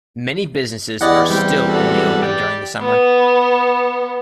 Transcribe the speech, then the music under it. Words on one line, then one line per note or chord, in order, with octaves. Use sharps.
Many businesses are still only open during the summer.
E2 G2 E4 D5 D#5 F#5
G3 C4 G5
F#4 A4
G4 D5
B3